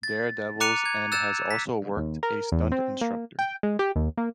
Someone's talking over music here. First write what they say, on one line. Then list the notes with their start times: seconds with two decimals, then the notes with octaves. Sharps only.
Daredevils and has also worked a stunt instructor.
0.03 A6
0.60 A#5 D6 F#6 C#7 D#7 F7
0.86 G#6
1.12 E6 F#6 G6 A6 E7
1.51 B6
1.96 D#2
2.23 A#4
2.52 E2
2.72 C4
3.01 A#3
3.39 G5
3.63 G#3
3.79 G4
3.95 D#2
4.18 A#3